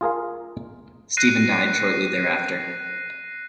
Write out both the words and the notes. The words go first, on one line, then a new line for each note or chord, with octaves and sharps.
Stephen died shortly thereafter.
F4 G#4 A#4 F5
F#6 A#6 C7 D#7